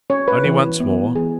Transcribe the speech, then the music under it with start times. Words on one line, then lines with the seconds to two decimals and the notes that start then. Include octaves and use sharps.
"Only once more."
0.10 C#4 C#5
0.28 B4
0.45 E3
0.80 B3
1.15 E3 G#4